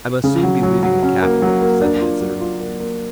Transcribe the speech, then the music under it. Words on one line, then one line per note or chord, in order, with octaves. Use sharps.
"I must soon be leaving the capital," said the visitor.
C#3
F#3
F#3
F#3
C#4
A#3
F#3
A#3
D4
F4
F#3
F4
A#3
A#3